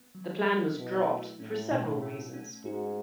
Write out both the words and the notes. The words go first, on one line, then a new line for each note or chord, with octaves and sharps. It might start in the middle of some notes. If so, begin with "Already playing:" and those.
The plan was dropped for several reasons.
Already playing: B3
F#3
F#3
B2 E4
A3
A2 C#4
B2
A3
C#4
G#2 F#4